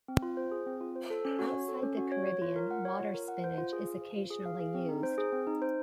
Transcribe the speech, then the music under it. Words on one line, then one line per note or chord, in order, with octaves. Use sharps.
Outside of the Caribbean, water spinach is occasionally used.
C4
F4
C5
G#4
C4
F4
C5
A4
C#4
F#4
C#5
A4
C#4
F#4
C#5
C#5
F4
A#4
F#5
C#5
F4
A#4
F#5
C5
F4
G#4
F5
C5
F4
G#4
F5
G#4
C4
D#4
C5
G#4
C4
D#4
C5